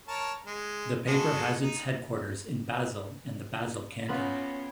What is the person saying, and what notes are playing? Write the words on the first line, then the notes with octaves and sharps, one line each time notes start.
The paper has its headquarters in Basel and the Basel canton.
A#4 C#5 A5
G#3
G#3 F#4 A4
D#4
B3 C#4 F4 C#5 B5